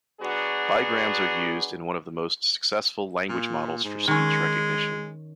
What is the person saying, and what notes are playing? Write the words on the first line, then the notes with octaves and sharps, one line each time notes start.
Bigrams are used in one of the most successful language models for speech recognition.
F#3 B3 D4 F#4 G#4
A#2
G#2
D#3 G#3 C#4